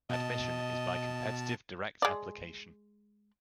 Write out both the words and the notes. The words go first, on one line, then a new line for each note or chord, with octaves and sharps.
Admission is by competitive direct application.
B2 D#5 A5
G#3 D5